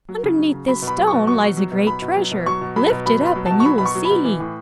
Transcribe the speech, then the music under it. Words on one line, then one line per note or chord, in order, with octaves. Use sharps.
"Underneath this stone lies a great treasure; lift it up, and you will see."
F#3
C#3
F#3
C#3
F#3 B5
B2
B5
F#3
C#6
B2
F#3 C#6
B2
F#3
B2
F#3 B5
B2
F#3
B2
F#3 C#6
B2
F#3 B5
B2
F#3 B5
B2 B5
F#3
B2 A5
C#6
F#3 B5
B2 B5
C#6
F#3
B5
B2
E3
A2